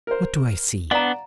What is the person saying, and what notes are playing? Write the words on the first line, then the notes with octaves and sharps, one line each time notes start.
"What do I see?"
A#4 C5
B3 D4 D5 F5 F#5 A#5